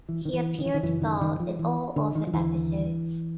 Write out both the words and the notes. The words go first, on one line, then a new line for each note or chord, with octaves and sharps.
He appeared bald in all other episodes.
E3
D#3
E3
D#3
E3
D#3
F#2 C#3 E3
D#3
D#3
F3
E3
D3
D#3
F3
D#2 D3 E3